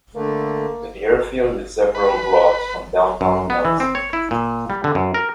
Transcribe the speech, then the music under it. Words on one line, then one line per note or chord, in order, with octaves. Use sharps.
The airfield is several blocks from downtown Nelson.
D3 A3 A#3
B4
F#2
B3
E3
C4
C#5
E4
A#2
G3
D3
F#2
A#4